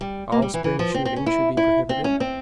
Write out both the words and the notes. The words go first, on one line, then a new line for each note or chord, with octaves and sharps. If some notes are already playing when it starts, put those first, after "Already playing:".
All spring shooting should be prohibited.
G3
A#3
G3
E3
E3
F3
C4
C4
C#4
E4
E4
C4
C#4
C4